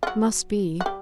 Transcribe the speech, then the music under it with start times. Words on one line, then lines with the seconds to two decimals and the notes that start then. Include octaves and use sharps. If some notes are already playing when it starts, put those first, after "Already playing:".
Must be.
0.03 F4
0.07 F#3 F#4
0.81 F#4
0.86 G3 G4